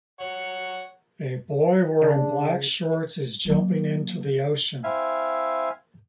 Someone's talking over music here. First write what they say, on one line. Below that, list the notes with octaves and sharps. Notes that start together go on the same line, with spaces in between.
A boy wearing black shorts is jumping into the ocean.
C#5 F#5
C#3 D4
F#3 A#3
C4 E4 E5 F5 G#5